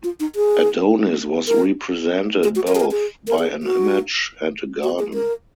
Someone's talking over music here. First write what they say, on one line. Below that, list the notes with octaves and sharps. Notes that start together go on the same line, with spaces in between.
Adonis was represented both by an image and a garden.
F4
D#4
G#4
A#4
G#4
F#4
A#4
G#4
A#4
G#4
A#4
G#4
F#4
F#4
G#4
A#4